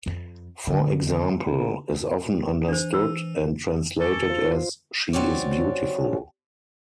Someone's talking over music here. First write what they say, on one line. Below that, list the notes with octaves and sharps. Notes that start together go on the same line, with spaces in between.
For example, is often understood and translated as "She is beautiful".
F2
D3
E3 D4 C5
E6
A4 G#5 C#6 D6
F4 C5
F#3 C4 C#4 D5